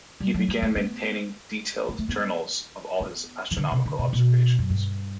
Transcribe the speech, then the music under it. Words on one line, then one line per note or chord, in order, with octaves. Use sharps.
He began maintaining detailed journals of all his astronomical observations.
G3
F#3
G3
A3
B3
B3
A3
B3
B3
E3
D3
C3
D3
C3
B2
F#2
G2